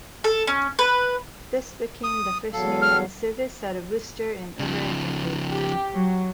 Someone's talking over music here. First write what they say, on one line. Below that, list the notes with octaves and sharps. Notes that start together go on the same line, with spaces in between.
This became the first mainline service out of Worcester in over a decade.
A4
C#4
B4
D#6
E2 F#3 A4 F5
F6
C#3 F3
G4
F#3